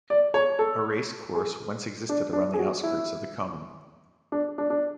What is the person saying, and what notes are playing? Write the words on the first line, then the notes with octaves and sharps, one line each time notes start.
A racecourse once existed around the outskirts of the Common.
D5
C#5
A4
G#4
D4
D4
G#4
F#4
E4
D4
D4
D4